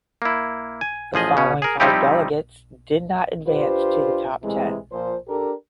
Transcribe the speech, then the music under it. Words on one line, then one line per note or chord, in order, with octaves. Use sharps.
The following five delegates did not advance to the top ten.
A#3 E4
G#5
A1 F3 G#4 D#5
B2 C#4
G#4 A#4
F3 G3 C4 D#4 E4 G4
D4 F4 G4 B4 C5
A2 C3 E3 G#3
A#2 F3 C5
D4 G4 A4 A#4